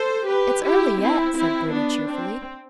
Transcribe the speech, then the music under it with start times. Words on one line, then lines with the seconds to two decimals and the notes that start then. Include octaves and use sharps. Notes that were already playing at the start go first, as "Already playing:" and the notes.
"It's early yet," said Bertie cheerfully.
Already playing: A4 C5
0.27 G4 B4
0.64 E4 G4
1.00 C4 E4
1.36 C4 E4
1.72 B3 D4
2.08 C4